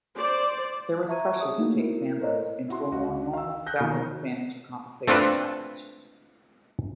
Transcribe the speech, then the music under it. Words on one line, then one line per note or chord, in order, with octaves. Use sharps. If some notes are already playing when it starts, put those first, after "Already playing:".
There was pressure to take Sambo's into a more normal salaried manager compensation package.
C5 D5
E5 A5 A#5 C#6 G#6 D#7
G#4 C#5 E5 D#6
A3 A#3 D#4 E4 F#4
B3 E4 A#4
A4 A#4 C5 C#5 D#5 A#5
E4 F#4 C6
C#2 F#4
F5 E6
F#6 G6 A#6
B2 D#3 F3
A3 C4 D4 F4 A4 B4